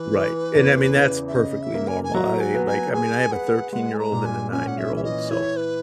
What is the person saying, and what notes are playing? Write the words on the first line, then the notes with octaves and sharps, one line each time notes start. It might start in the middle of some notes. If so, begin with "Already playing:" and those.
Right, and, I mean, that's perfectly normal. I, like, I mean, I have a thirteen-year-old and a nine-year-old, so
Already playing: E3 B4
E3
E2
C#3
E5
C#3 D#5
E5
A#3
G#5
G#5
F#3 A#5
G#5
B3
G#5
G#4 G#5
B4 F#5
G#3 F#5
G#5
A#5
A#2
G#5
C#4 G#5
F#5
E5
E3
E5
D#5
E4 C#5
B4